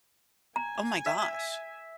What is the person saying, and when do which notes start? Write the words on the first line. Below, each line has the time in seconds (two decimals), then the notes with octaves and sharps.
Oh my gosh.
0.56 G#5 A#5
1.06 E5